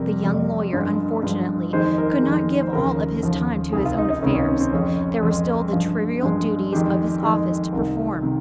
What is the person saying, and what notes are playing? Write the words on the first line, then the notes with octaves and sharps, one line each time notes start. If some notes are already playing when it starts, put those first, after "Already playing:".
The young lawyer, unfortunately, could not give all of his time to his own affairs; there were still the trivial duties of his office to perform.
Already playing: F2 C3 G3 A#4
F2 C3 G3
G2 F3 G#3
G2 F3 G#3
F2 D#3 G#3 C5
A#4
F2 D#3 G#3
C5
D#2 C#3 F3 A#4
D#2 C#3 F3
C#2 C3 D#3 G#4
F4
D#4
D#4
C#2 C3 D#3 C#4
C#4
C4
C4
F2 C#3 G#3 C#4
F2 C#3 G#3
G2 F3 G#3 F4
G2 F3 G#3
F2 D#3 G#3 G4
F2 D#3 G#3
C2 C3 D#3 A#4
C3 D#3